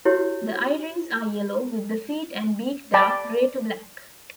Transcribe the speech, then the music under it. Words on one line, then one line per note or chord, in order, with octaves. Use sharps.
Their eye-rings are yellow, with the feet and beak dark gray to black.
E4 F#4 G4 C#5
D5 G5 A5 B5